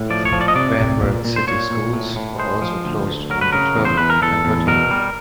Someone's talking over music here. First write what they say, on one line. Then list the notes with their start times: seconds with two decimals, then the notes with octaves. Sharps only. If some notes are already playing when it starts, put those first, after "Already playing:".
Van Wert city schools were also closed on the twelfth and thirteenth.
Already playing: A2
0.10 F3 D5
0.25 C#5
0.33 F3
0.41 D5
0.48 D#5
0.55 C3 D5
0.78 C3
1.01 A#2
1.25 A#2
1.36 C5
1.47 A#2 C#5
1.70 A#2
1.93 A2
2.16 A2
2.39 G#3 C5
2.62 F3
2.85 D2
3.07 D2
3.30 F#3 A#4
3.41 B4
3.52 C#3 A#4
3.76 E2
3.85 C5
3.97 E2 B4
4.10 A#4
4.22 E2 A4
4.45 E2
4.67 B2 A#4
4.91 G3